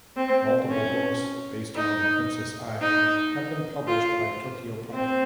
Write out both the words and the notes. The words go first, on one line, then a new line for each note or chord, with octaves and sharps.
Multiple books based on "Princess Ai" have been published by Tokyopop.
C4
C#4
D#4
D#4
F4
C4